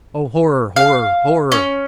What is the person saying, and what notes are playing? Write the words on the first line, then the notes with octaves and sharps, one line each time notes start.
Oh, horror, horror, horror!
F5
C#4